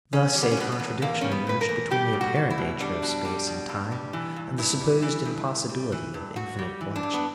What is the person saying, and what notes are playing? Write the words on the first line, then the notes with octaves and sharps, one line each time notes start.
Thus a contradiction emerged between the apparent nature of space and time and the supposed impossibility of infinite collections.
E2 C#4
G3
B3
C#4
B2 B3
B3
E2
E2 A#3
G3 C#4
B3
B2 B4
A#4
E2
G3 G4
B2
F#4
G3
E4
B2
G3 D4
B2
G3
B2
G2
G3
E3
G2
G2 E4
G3
E3
G2
G2
G3
E3
G2
G2 F#4
G3
E3
D4
G2
B3